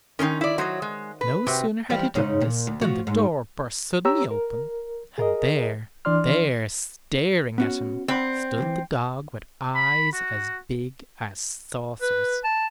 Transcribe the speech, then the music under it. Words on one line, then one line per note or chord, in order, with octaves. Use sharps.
No sooner had he done this, than the door burst suddenly open, and there, there, staring at him, stood the dog with eyes as big as saucers.
D#3 C#4 D#4 C#5 C6
E4 D5
F#3 C5 C#5 D#5
G#3
B4
C3 F#4 G4
E3 F3 G3
G#2 C#3 D#4
A#2
D2
F3 F#4
G#2
G4 C#5 A#5 E6
A#4
G#4 A#4 D#5
E3 D4 D5 C6 F6
B3 C#4 F#4
C4 D5 F#5 B5
D2 E3
B5
F#4
B4
A5